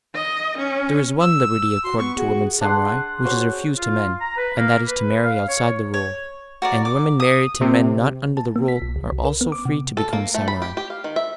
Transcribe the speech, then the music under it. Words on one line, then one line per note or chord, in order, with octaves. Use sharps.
There is one liberty accorded to women samurai which is refused to men, and that is to marry outside the Rule, and women married to men not under the Rule are also free to become samurai.
D#5
C#4
E6
F#4 C6
B3 C#6
F#4 G#4
D4 G#4 F#5 C6
C#4 F#4 C5
F4
A#5
B4
A#3
B4
F5
C#5
C#5
F#4 A#4 D5
D6
D#6
C3
A5
A#3
B6
B1
C#2
C2
A#4
B3
D6
C3
A4
A#3
A3
B5
G4
G4
F5
D#3
E5